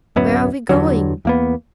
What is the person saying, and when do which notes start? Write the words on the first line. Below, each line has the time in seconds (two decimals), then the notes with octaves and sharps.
"Where are we going?"
0.16 D1 F#2 B3
0.69 E2 G2 D3 F#3
1.25 E2 A#3 B3